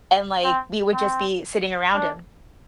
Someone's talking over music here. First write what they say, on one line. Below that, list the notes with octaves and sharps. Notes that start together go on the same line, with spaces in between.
and, like, we would just be sitting around him.
C4
C4
D4